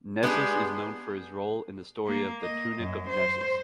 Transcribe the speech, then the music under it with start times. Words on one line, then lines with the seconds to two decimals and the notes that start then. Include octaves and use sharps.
Nessus is known for his role in the story of the Tunic of Nessus.
0.23 G#3 B3 D4 D#4 G4 G#4
2.06 A#3
2.43 D#5
2.78 F#2
3.09 C5